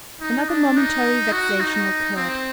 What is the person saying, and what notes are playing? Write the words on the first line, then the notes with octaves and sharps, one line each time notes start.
Another momentary vexation occurred.
D#4
D4
D#4
F#4
D#4
C4